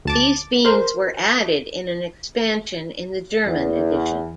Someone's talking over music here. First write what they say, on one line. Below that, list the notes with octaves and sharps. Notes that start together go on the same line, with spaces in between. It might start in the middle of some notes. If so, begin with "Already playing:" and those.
These beans were added in an expansion in the German edition.
D2 A5 D6
A#4 C5
E2